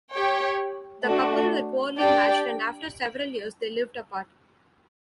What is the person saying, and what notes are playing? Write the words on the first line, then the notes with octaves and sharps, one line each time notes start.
The couple were poorly matched and after several years they lived apart.
G4 C#5 G5
A3 D4 F#4
D4 G4 D5 G5